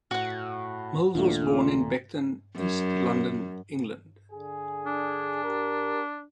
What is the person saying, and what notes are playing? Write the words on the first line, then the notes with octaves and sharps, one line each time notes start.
Mills was born in Beckton, East London, England.
A2 F#4 F#5
D#2 A#2 A3 D4 F4
F#2
D3 G#4
D4
G4 A#4